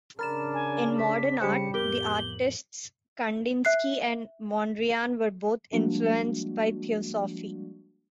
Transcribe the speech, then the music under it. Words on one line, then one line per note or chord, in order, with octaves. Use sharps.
In Modern Art, the artists Kandinsky and Mondriaan were both influenced by theosophy.
C#3 D4 A#4 A#5 B5 F6 A6 E7
G#5
B6
C#3 G3 G4 C5 G5 B5 C#7
F2 A2 B3 G4 A#4 D6 G6 G7
F#7
E5 F#6 C7
F3 G3 G#3 A#3 D4 F#4